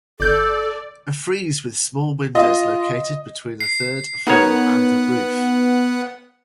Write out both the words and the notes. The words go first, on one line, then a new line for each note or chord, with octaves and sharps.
A frieze with small windows located between the third floor and the roof.
G1 A4 D5 G6
F4 D#5
C7
B3 D#4 A#4 C#5 F#5